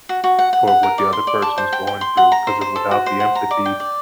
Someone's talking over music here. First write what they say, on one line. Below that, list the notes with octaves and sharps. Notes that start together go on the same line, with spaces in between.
toward what the other person's going through, 'cause, it without the empathy,
F#4
F#4
F#5
F#5
F#5
A#4
D5
C6
D5
A5
C5
G5
G5
C6
F#5
A#5
C5
C5
A4
F#4
C5
F#5
A#5
D5
G5
D5